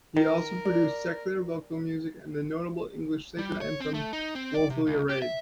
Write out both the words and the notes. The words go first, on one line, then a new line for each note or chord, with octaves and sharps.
He also produced secular vocal music and the notable English sacred anthem "Woefully arrayed".
D#3 A#4
D5
G3
C#5
C4
A3
D#4
C4
D5
C3
C#2
G4
E5